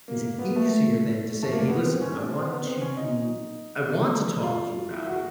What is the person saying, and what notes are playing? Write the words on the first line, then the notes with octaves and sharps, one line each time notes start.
Is it easier than to say, "Hey, listen, I want to I want to talk to you about it,
A#3
A#3
B3
A3
A3
A#3
B3
C4
C#4
D4
C4
B3
C4
C#4
D#4
F4
E4
F#4